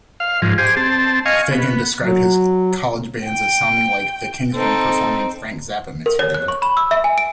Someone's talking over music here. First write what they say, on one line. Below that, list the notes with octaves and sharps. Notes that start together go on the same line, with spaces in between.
Fagen described his college bands as sounding like "the Kingsmen performing Frank Zappa material".
F5
G#2 F3
G4 G#4 C5
C4 A5
D#5 F5 G#5 C#6
B3
F#3
G5
C4 D#4 A4
A#4
C#5
F#6
C#6
B5
E6
E5
G#5
D7